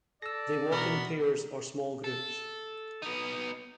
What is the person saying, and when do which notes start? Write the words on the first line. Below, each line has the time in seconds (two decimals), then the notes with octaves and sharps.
They walk in pairs or small groups.
0.22 A4 D5 E6 A#6
0.72 B2 E3 B3 F#4 A#4
2.04 A4
3.02 B3 D#4